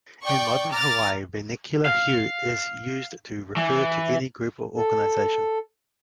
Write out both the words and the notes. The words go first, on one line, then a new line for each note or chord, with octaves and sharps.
In modern Hawaii vernacular, hui is used to refer to any group or organization.
D5 G5 C#6
A#5 D6 F6 A6
F5
E3
A4